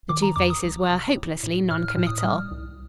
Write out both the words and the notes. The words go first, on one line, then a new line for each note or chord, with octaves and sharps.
The two faces were hopelessly non-committal.
D#3 D6
A#5
F2 D6
D#6
C2
C3
A2
A2
A2 F6
F6
A2
D#6
D#6
G3 F6
C2